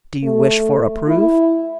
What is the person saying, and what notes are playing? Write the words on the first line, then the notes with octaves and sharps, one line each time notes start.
"Do you wish for a proof?"
A3
E4